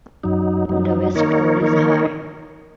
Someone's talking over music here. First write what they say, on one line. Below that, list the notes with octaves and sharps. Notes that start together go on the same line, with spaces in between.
The west tower is high.
F#2 F#3 D#4
F#2 F#3 D#4
D#3 A#3 D#4 A#4 C#5
D#3 A#3 D#4 A#4 C#5